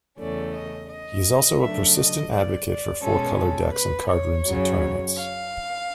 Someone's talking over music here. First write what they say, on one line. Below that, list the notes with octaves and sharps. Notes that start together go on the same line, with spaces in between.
He is also a persistent advocate for four-color decks in card rooms and tournaments.
E2 C#3 E3 A3 C#4 D5
D#5
D#5
C#3 F#3 A3 D4 E5
D#5
D5
D5
B2 G#3 C#4 A4
A4
B4
C#5
F#2 C#3 F#3
F5